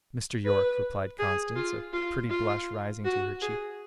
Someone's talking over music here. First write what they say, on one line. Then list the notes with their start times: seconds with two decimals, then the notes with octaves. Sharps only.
"Mr. Yorke," replied Constance, a pretty blush rising to her cheek.
0.44 B4
1.19 G#4
1.56 F4
1.93 F4
2.30 F4
3.05 F#4
3.41 G#4